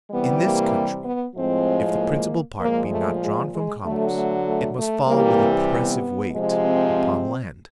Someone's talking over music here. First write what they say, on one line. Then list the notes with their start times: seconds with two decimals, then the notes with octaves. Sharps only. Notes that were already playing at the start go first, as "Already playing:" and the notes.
In this country, if the principal part be not drawn from commerce, it must fall with oppressive weight upon land.
0.11 C3 E3 G3 B3
0.42 A#3
1.04 B3
1.35 A2 F3 G#3 C4
1.97 A#3
2.59 A#2 F3 G#3 A#3
2.90 A3
3.20 G#3
3.53 G#3
3.83 D3 F#3 A3
4.14 A3
4.45 A3
4.77 A3
5.07 C3 E3 G3 A#3
5.70 B3
6.30 C3 F3 G#3
6.62 C4
6.93 C4